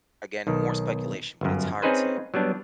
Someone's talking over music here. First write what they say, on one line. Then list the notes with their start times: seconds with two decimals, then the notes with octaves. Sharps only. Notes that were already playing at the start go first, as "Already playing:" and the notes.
again, more speculation, but it's hard to
0.47 B1 D#3
1.41 G1 F#2
1.82 C4 C#4 D#4 G#4 B4 C5
2.34 F#3 G3 B3 D4